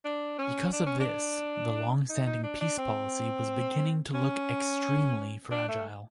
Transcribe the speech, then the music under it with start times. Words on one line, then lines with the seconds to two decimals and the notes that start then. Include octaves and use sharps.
Because of this the long-standing peace policy was beginning to look extremely fragile.
0.05 D4
0.39 C#4
0.72 D4
0.86 C#4
1.00 D4
2.09 D#4
2.26 D#4
2.43 D4
2.61 D4
2.78 C4
4.14 C#4
5.51 D4
5.68 A3